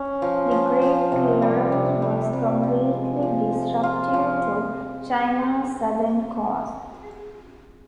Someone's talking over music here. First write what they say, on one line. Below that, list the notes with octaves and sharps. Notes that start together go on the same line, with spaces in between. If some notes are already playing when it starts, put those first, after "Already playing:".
The Great Clearance was completely disruptive to China's southern coasts.
Already playing: C#4
F3
F3
F3
C3
G3
C3
G3
C3
F3
G#3
F3
F3
F4
F3